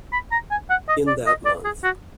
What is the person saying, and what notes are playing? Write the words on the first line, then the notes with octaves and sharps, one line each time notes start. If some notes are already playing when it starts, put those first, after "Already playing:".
In that month.
B5
A#5
G#5
F#5
D#5
D5
D#5
D5
G#4
F#4